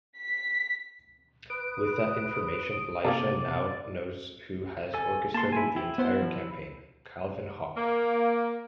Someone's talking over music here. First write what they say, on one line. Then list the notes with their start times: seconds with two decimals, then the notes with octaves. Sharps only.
With that information, Leisha now knows who has orchestrated the entire campaign: Calvin Hawke.
0.17 B6
1.50 B4 D#6 D7
3.05 C3 A#3 A4 A#4 D5 D6
4.94 A4 G#5
5.34 A#3 A5 C6
5.52 E4 G#5
5.76 E4 G4
5.98 B3 C5 F#5
6.22 F3
7.75 A#3